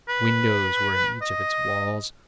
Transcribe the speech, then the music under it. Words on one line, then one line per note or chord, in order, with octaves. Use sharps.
Windows were in each of its walls.
B4
D#5